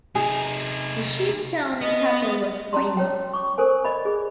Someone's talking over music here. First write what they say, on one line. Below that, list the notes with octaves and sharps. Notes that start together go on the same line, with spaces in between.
The chief town and capital was Weimar.
C3 D#4 G#4
B3 D#5
C#4 A5 A#5 C6
C#5 G5
C#6 D6
A4 A#4 C5 G#5
D5 D#5 B5
G#4